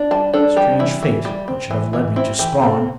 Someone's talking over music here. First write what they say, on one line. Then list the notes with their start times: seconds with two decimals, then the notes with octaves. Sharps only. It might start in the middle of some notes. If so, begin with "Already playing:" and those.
Strange fate that should have led me to Spawn!
Already playing: D4
0.11 G3 A5
0.33 D4 A4
0.56 G3 G4
0.79 E3 E4
1.03 E3
1.25 G3
1.48 C4
1.71 E3
1.93 E3
2.16 C4 E4
2.39 E3 G4
2.62 C4 A4